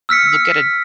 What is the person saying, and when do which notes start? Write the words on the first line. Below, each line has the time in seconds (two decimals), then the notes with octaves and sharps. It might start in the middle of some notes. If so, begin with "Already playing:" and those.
look at it
0.09 E6 F6 B6 C#7